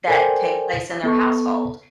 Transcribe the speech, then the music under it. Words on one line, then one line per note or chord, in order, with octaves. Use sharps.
that take place in their household
A4 A#4 C5 D5 G5 G#5
B3 A4 C#6